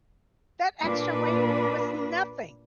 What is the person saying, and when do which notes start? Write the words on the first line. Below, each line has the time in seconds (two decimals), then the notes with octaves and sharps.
that extra weight was nothing.
0.84 A#2 D4 B4